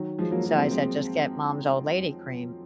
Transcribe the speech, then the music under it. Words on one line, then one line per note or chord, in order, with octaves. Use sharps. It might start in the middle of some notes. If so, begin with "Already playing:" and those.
So, I said, "Just get mom's old lady cream,"
Already playing: D#3 F#3
F3 G#3
F#3 A#3
F#3 A#3
G#3 C4
G#3 C4